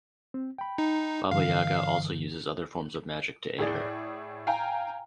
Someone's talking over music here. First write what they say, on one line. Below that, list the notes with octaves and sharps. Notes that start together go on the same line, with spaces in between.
Baba Yaga also uses other forms of magic to aid her.
C4
G5 B5
D#4
G2 D3 E3 F5
A2 G#4 D5
F5 G5 G#5 A#5